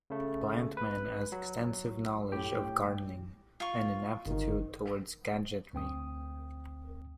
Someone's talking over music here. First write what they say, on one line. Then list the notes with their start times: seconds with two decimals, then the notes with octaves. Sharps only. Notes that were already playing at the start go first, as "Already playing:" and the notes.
Plantman has extensive knowledge of gardening, and an aptitude towards gadgetry.
0.10 C#3 A3
0.77 B4
1.32 F#3
2.32 A2 G4 G5
3.60 F4 C#6
4.26 G1 D#3
5.73 D2 C4 G5 D#6